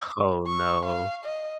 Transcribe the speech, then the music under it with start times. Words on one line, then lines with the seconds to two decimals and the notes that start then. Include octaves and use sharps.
Oh, no.
0.47 C#6
0.85 F5
1.24 D#5